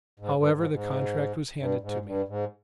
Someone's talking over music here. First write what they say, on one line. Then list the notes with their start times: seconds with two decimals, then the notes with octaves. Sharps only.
However, the contract was handed to me.
0.20 G#2
0.37 G2
0.54 G#2
0.72 G#2
1.59 G2
1.82 G#2
2.05 G2
2.28 G#2